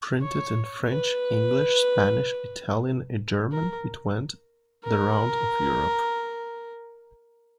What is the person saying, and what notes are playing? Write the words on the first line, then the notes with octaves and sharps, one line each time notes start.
Printed in French, English, Spanish, Italian and German, it went the round of Europe.
C#5
B4
A#4
A#4